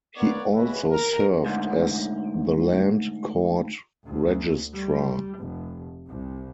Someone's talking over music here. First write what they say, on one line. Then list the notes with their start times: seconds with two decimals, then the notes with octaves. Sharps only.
He also served as the Land Court Registrar.
0.16 A#3 B3 A#4 C#5 D5 F#5
0.53 C#3 E3 G#3 E4 F#4 B4
0.89 A#4
1.46 D2 G#2
4.05 D2
4.74 G3
5.39 F1
6.06 C2